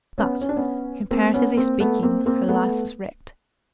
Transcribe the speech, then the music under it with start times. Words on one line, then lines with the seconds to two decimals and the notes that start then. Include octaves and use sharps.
But, comparatively speaking, her life was wrecked.
0.18 B3 C#4
0.41 C#4
0.49 D4
0.56 B3 C#4
1.11 A#3 C4
1.34 B3 C#4
1.57 A#3 C4
1.80 A3 B3
2.03 A#3 C4
2.26 A#3 C4
2.49 A3 B3